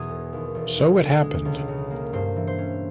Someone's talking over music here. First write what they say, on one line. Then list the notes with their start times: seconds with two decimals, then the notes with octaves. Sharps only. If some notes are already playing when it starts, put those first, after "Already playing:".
So it happened.
Already playing: E2 B2 G#4
0.09 E1
0.33 D#2
0.55 E1
0.77 D2
1.00 D3
1.23 G#3
1.45 C#2
1.68 C#3
1.91 A#3
2.13 G2 C5
2.36 E3
2.47 C5
2.58 C#4